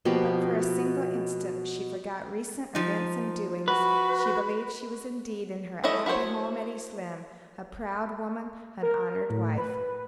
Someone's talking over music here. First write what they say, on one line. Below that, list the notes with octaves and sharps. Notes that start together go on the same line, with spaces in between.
But, for a single instant, she forgot recent events and doings, she believed she was indeed in her happy home at East Lynne, a proud woman, an honored wife.
B2 F3 A#3 G4
F3 D#4
F#4 B4
A3 C#4 E4 D#5
E4 F#4 A#4 C5 C#5
A#4
A2
B4